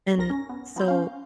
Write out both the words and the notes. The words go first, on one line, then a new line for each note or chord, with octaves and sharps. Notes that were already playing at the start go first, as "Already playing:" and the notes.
And so,
B1 G2 A#4 A#6
C#4
B3
F3 B3 C5 G6
C#4 F5